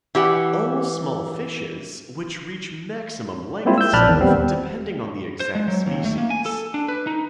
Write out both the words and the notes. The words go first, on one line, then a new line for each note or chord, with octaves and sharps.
All small fishes, which reach maximum lengths of depending on the exact species.
E3 G4 F#5
G3 G#3 A#3 C4 E4 F4
E6 G6
A#1 D5 A5 B5 F6 F#6
E2 D#3
D#2 G3 B3 C4
C5
G#3
F#3
D#2
A3
A#3
G#5
A4
D4
B4
D#4